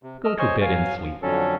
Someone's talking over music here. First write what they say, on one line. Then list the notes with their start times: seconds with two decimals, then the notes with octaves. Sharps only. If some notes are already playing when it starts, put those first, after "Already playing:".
Go to bed and sleep!
0.03 C3
0.24 D#5 E6 F6
0.39 C5 C#5 D#5 G#5 C#6
0.61 F#3 F5 G#5
0.96 F3
1.22 F2 D3 F#3 C#4 A4